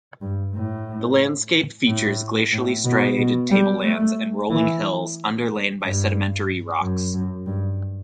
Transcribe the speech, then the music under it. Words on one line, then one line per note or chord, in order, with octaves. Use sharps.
The landscape features glacially striated tablelands and rolling hills underlain by sedimentary rocks.
G2
A2
A2
A2
B2
B2
G3
A3
E3
G2
F#2
F#2
G2